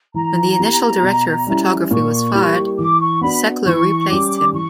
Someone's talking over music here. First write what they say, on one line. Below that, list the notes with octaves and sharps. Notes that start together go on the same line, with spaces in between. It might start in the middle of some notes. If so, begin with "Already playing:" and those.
When the initial director of photography was fired, Steckler replaced him.
E3 A#5
B3 E4 G4
B2
G3 C#4 E4
A#2 C#6
G3 A#3 E4 G4
E3 D6
C#6
B3 D4 F#4 B5
E3 C#6
G3 C#4 G4 D6
E3 C#6